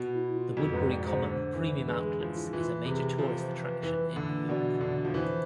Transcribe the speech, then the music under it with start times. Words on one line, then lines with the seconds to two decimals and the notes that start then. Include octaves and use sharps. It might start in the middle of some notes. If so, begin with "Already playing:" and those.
The Woodbury Common Premium Outlets is a major tourist attraction in New York.
Already playing: B2
0.14 E4
0.35 F4
0.57 F2 A4
0.70 A4
0.73 G#2 B4
0.90 F2 D5
1.06 G#2 C5
1.22 D3 C5
1.55 E3
1.87 G#3 B4
2.04 G#4
2.20 F3 F4
2.36 E4
2.53 E3 F4
2.85 C3 G#4
3.18 F3 A4
3.40 C5
3.61 B4
3.83 E3 B4
4.16 D3
4.49 B2 D5
4.81 D3
5.05 F3
5.14 E3 C5